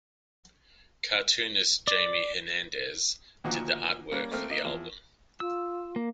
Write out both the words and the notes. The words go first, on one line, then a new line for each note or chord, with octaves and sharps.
Cartoonist Jaime Hernandez did the artwork for the album.
D5
D2 A#2 D#3 F3 A#3 F#4
G3 A#3 C#4
A3 A#3 C4 F6
A#3 D#4
E2 F3
F4 E6
A#3